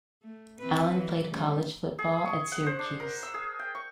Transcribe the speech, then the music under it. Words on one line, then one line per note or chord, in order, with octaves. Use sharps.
Allen played college football at Syracuse.
A3
E3 C4 B4
E3 F#3
C#3 G3 A3
G#4
C#6
F#5
C5
D4
A#4
E6
G#4
G5
C#6